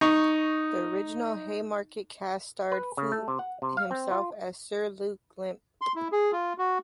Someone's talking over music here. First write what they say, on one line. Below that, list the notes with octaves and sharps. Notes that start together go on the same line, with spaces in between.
The original Haymarket cast starred Foote himself as Sir Luke Limp.
D#4 C#6
B4
C#3
A3
C3
F#5
C3
F5
C4
F4
C6
E4
G#4
F4
F#4